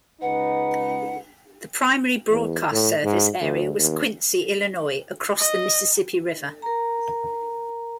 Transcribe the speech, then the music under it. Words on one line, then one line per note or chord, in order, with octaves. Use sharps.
The primary broadcast service area was Quincy, Illinois, across the Mississippi River.
C#2 D#4 B4 F#5
E2
A2
G#2
D2
D#2
D#5
A#4 A#5